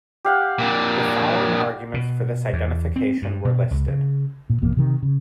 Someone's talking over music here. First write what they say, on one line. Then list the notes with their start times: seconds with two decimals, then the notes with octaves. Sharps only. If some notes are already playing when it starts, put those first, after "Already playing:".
The following arguments for this identification were listed.
0.25 G4 F5 F#5
0.59 A#2 D3
1.94 B2
2.53 E2
2.96 C4
3.22 G2
3.45 B2
3.71 C#2
3.88 C#3
4.50 A#2
4.62 A1 F2 B2 A#3
4.77 C3 D#3
5.02 C#3